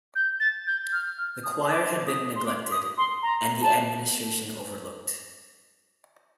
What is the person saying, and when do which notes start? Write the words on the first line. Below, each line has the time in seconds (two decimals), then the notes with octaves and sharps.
The choir had been neglected and the administration overlooked.
0.16 G6
0.40 A6
0.67 G6
0.93 F6
1.18 F6
1.44 D#6
1.61 C6
1.69 D6
2.07 D#6
2.36 C6
2.46 D6
2.72 D#6
2.98 C6
3.23 A#5
3.62 A5